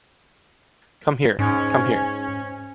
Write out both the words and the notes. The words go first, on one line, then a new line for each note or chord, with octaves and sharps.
Come here, come here.
G#2 C#4